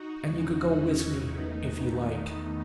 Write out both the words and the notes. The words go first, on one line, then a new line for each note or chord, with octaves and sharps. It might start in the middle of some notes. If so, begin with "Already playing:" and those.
And you can go with me, if you like.
Already playing: D#4 F#4
E2 C#3 G#3
C#4 E4
E2 D#3 A3 B3 D#4